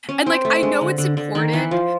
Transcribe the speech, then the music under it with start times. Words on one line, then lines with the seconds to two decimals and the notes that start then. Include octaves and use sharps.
and, like, I know it's important,
0.09 C#4
0.26 C4
0.45 A3
0.63 G#3
0.81 D3
0.98 D3
1.17 D3
1.35 D#3
1.53 E3
1.71 F3